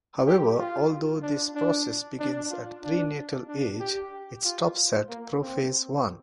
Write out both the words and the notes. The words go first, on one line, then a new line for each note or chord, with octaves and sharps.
However, although this process begins at prenatal age, it stops at prophase one.
G4
F4
D4
D4
D4
F4
D4
D4
G4
F4
A#3
C4